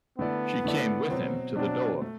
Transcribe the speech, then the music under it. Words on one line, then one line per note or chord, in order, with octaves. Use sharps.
She came with him to the door.
D3 A3 B3 E4 A4 D5
D3 A3 E4 A4 D5
B2 F#3 C4
B2 F#3 C4 D4
A3